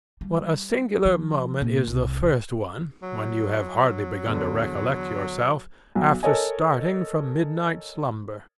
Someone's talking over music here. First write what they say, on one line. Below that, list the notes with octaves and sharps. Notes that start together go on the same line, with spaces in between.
What a singular moment is the first one, when you have hardly begun to recollect yourself, after starting from midnight slumber!
G3
F3
A#2
C2
F#3
E2 D3
B1
A4 A#4 C#5 D#5 G#5